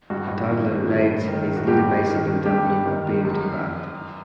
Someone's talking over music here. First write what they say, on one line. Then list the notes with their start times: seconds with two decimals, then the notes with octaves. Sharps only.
A toddler rides his little bicycle down a paved path.
0.10 G2 F#4
0.50 D#3
0.89 G2
1.28 D#3
1.57 F#4
1.68 G2 G4
2.06 D#3
2.46 G2 G4
2.86 D#3
3.25 F#2